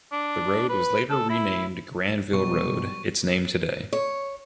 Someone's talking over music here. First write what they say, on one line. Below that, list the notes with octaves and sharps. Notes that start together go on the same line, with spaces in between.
The road was later renamed Granville Road, its name today.
D4
B4
A4
E4
B2 F#3 G3 C#6
C#5